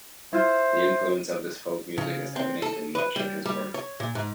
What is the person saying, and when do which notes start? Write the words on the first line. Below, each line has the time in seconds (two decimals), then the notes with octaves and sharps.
The influence of this folk music is evident in much of his work.
0.33 E4 F4 C5
1.98 C#3
2.36 C4
2.62 A4
2.95 B4
3.16 G3
3.46 G3
3.74 C#5
4.00 A#2
4.15 G#2